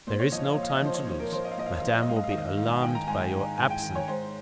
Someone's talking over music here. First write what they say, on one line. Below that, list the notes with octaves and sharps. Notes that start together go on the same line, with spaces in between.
There is no time to lose. Madame will be alarmed by your absence.
A#2 C5
C#5
F3 D#5
F5
A#2
F5
D#5
F3 C5
C#5
A#2 C5
A#4
F3 C5
D#5
F5
A#2 D#5
F5
D#5
F3 F5
D#5
F5
D#5
G#2 F5
D#5
F5
D#3 D#5
F5
D#5
G#2 F5
G#5
D#3 G5
A#5
G#2 G#5
D#3
G#2 G#5
G5
D#3
C#5
G#2 C5